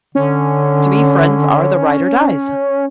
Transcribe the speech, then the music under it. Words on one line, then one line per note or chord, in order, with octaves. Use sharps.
to me, friends are the ride or dies.
D3 C#4